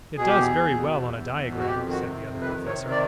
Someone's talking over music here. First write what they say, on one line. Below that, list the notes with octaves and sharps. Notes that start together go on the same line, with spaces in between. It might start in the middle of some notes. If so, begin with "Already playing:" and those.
"It does very well on a diagram," said the Other Professor.
B2 G#4
G4
E2 G#4
E2
B2
E2
E2
E2
B2
F#4
F2 G4
D#3
F#4
C3
F2
D#3 B4
C3
C#5
D#3
D5